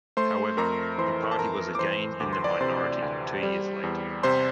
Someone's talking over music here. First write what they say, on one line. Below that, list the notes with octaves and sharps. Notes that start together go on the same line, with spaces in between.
However, the party was again in the minority two years later.
A3 C5 C6
F2 A#4 A#5
E3 C5 C6
A5
F2 A#4 A#5
D6
E3 C5 C6
D2 D6
C6
D5 D6
C3 C5 C6
D2
G3
E2
C3 C5 C6